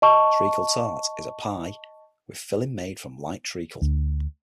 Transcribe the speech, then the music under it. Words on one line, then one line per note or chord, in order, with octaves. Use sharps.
Treacle tart is a pie with a filling made from light treacle.
D#5 A5 C#6
D2